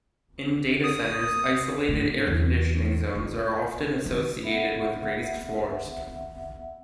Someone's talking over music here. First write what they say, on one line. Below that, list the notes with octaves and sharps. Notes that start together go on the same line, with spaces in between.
In data centers, isolated air-conditioning zones are often associated with raised floors.
D#6
A2
E2
F4
D#3
B3 E5 F#5